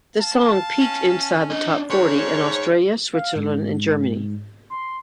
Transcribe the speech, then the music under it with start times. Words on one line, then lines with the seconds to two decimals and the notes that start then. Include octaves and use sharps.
The song peaked inside the top forty in Australia, Switzerland and Germany.
0.20 F5 A5
0.81 C#4
1.50 D4 D#5
1.90 G#2 A3 D4 A#4 C#5
3.13 F5
3.35 G#2
4.70 C6